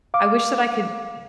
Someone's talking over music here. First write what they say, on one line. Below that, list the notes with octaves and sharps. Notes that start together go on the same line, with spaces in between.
I wish that I could
F5 D6